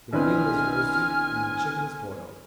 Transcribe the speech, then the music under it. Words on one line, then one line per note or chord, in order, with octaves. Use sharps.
The veal is roasted, and the chickens boiled.'
B1 D#3 C4 D4 E4 B4 G#5 F6